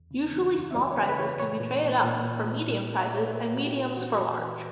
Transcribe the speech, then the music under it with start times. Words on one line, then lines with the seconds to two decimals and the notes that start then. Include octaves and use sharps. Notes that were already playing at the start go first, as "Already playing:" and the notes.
Usually small prizes can be traded up for medium prizes and mediums for large.
Already playing: E2
0.11 C#3
0.33 E3
0.53 F#2
0.71 E5
0.75 F#2 D5
0.91 C#5
0.96 C#3 B4
1.09 B4
1.18 E3 C#5
1.39 A#2 C#5
1.60 A#2
1.82 A#2
2.04 A#2
2.25 A#2
2.46 A#2
2.67 A#2
2.89 A#2
2.98 E5
3.06 D5
3.11 A#2 C#5
3.24 B4
3.32 A#2 A#4
3.53 A#2 F#4
3.64 G4
3.75 A#2
3.96 E3 F#4
4.18 F#2 G4
4.39 E3 B4